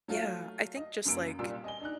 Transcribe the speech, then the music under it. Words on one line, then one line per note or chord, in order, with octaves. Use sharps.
Yeah, I think just like
F#3 A3 F4
D#5
C#2 F#2 A#3 E6 D7
C2 A#2 G3 F4 E6
D#5 G#5 G7
D4 D#4 F#6